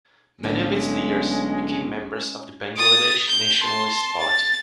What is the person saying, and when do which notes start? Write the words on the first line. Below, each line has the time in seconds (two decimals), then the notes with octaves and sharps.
Many of its leaders became members of the Bangladesh Nationalist Party.
0.43 B1 A2 D3 G#3 C#4
2.76 D#6 A6
3.28 G6
3.59 A5 C6
4.19 A6